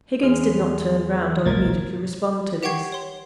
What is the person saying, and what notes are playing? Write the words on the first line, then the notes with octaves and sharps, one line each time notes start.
Higgins did not turn round, or immediately respond to this.
E2 G#3 F6
F#1 B1 A#2 G#3 A#3 A#4 G#6 A6
G4 F#5 G5 C#6 G#6 C7
C#5 C6